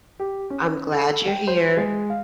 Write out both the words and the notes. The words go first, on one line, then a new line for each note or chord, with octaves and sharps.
I'm glad you're here.
G4
C#4
A4
G5
C5
G#3
F5